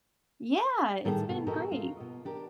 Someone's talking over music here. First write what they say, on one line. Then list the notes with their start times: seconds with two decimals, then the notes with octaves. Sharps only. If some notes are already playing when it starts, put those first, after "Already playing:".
Yeah, it's been great!
1.05 A2 D#3 G3 A3 G#4 A4
1.29 B2
1.47 F#4 G4 A4 A#4 D#5
1.72 F4
1.97 B2 D#5
2.25 D4 G4 A#4